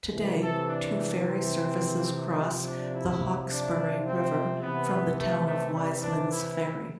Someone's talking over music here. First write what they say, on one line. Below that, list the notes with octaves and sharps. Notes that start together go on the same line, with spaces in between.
Today, two ferry services cross the Hawkesbury River from the town of Wisemans Ferry.
C3 E3
A4
D4
C4
C3 F3 C4
D4
E4
D4
C4
C3 E3 B3
A3
A3
G3
D4
E4